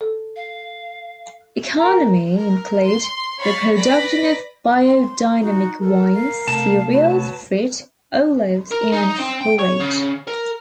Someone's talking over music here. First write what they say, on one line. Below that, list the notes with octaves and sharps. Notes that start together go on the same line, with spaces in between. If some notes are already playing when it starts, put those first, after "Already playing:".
Economy include the production of biodynamic wines, cereals, fruit, olives and forage.
A4
F5
A#4 D#5 A#5
A#4
C6
C#5 F5 B5 C#6 A6
B4 D5 B5 A#6 B6
C6
D#4 F#4
A4 A#4
F5
C3 A3 A5
F#3 B4
A#4
D#4
C4
G5
C#5
C#3
A#4